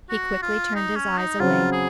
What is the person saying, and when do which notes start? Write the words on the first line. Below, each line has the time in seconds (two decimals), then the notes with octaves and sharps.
He quickly turned his eyes away.
0.09 F#4
0.42 F4
0.75 D#4
0.96 C#4
1.18 D#4
1.40 C#3 F#3 C4 F4
1.72 G#4